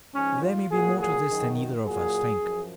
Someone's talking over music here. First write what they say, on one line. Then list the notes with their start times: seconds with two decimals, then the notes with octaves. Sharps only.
There may be more to this than either of us think.
0.14 G#2 F3 C#4
0.43 F4
0.71 A#2 F#3 G#4
1.00 G#4
1.28 F#2 D#3 F#3
1.84 A#2 F#3 G#4
2.41 F#2 F3